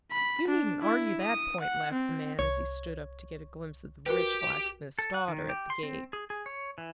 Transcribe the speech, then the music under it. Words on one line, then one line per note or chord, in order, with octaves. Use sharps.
"You needn't argue that point," laughed the man, as he stood up to get a glimpse of the "rich blacksmith's daughter" at the gate.
B5
D4
E4
D#6
F#5
C4
C2 C#5
F#4 G4 A#4 B4
A4
F#5
D#3
G4
C6
C4
G#4
G#4
C#5
E3